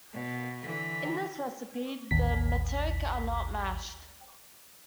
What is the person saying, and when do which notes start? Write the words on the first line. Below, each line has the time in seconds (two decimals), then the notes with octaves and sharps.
In this recipe, the "matoke" are not mashed.
0.13 B2
0.63 D3 E3
2.11 A1 D#2 B6